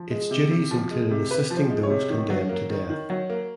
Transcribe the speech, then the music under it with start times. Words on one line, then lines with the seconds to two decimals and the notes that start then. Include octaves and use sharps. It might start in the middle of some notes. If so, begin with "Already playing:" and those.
Its duties included assisting those condemned to death.
Already playing: F3
0.11 G#3
0.31 C3
0.51 C3
0.71 F3
0.91 G#3
1.11 C3
1.30 C3 B4
1.51 F3
1.57 C5
1.70 G#3
1.83 C#5
1.90 C3
2.10 D#3
2.30 F#3
2.49 A#3
2.70 D#3
2.90 D#3
3.10 F#3
3.30 A#3